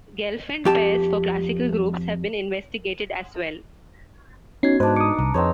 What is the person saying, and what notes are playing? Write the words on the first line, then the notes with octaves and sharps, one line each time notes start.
Gelfand pairs for classical groups have been investigated as well.
F2 G4 A5
B3 C#4 D#4 F#4 G#6 C7
G#2 D4 D#4 B4 C5 D#5
A#5 D6 D#6 C#7
C2 A#5
F2 C4 D#4 G#4 B4 C#5 C6